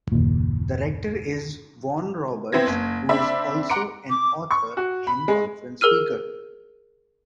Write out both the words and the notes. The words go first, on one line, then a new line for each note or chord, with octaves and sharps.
The rector is Vaughan Roberts who is also an author and conference speaker.
F#1 D#2 A#2
B3 C4 E4 G#6 A#6
F#1
C4 D4 E5 B5
F#5 A#5 C6 D6 C#7 D7
D6
C#6
F#4
B5
G#3
G#4 A#4 E6 F6 D#7